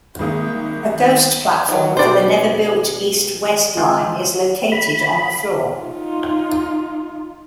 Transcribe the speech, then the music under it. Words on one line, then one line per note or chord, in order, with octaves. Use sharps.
A ghost platform for the never built east-west line is located on the floor.
C2 D#3 G#3 A#3 D#6
F3 F#3
B2 G3 D4 C5 D5
G#3 F4 G5
B5
D#4 F4